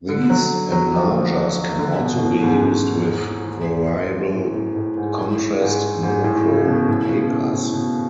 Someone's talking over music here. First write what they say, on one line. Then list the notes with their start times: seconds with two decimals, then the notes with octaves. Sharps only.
These enlargers can also be used with variable-contrast monochrome papers.
0.09 D3
0.30 F#3
0.72 F#3
0.94 F3
1.06 D3
1.19 F3
1.79 D3
2.00 B2
2.13 B2
2.21 A2
2.43 G#2
2.63 G#2
4.34 A2
4.54 A2
4.76 A2
4.97 G#2
5.18 A2
5.61 G#2
6.03 G#2
6.24 A2
6.46 C#3
6.67 B2
6.88 A2
7.03 C#3
7.10 B2
7.31 A2
7.52 A2
7.73 B2